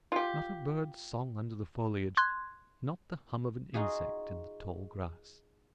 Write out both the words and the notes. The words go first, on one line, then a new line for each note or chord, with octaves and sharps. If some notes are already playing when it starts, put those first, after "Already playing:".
Not a bird's song under the foliage, not the hum of an insect in the tall grass.
F4 G4
C6 F#6 G#6
D#4 F4 F#4 G#4